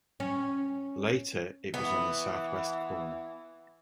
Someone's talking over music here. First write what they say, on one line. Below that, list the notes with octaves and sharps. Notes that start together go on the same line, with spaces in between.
Later it was on the southwest corner.
C#4
E3 B3